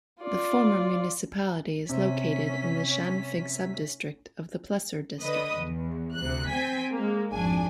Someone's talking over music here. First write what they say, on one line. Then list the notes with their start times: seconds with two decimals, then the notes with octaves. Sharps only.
The former municipality is located in the Schanfigg sub-district of the Plessur district.
0.22 F4 D5
1.89 C3 C#4 B6
5.21 D3 B4 D#5 D#6
5.62 E2
6.16 D2 C3 F#6
6.48 C4 G5 G#5 B6
6.92 G#3 A#3
7.32 G#1 F2 D4 G#5